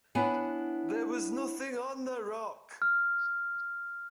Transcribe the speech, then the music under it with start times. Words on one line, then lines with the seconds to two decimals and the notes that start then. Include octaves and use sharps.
There was nothing on the rock.
0.15 B3 D4 E4 C#5 F#5 G#5
2.82 F6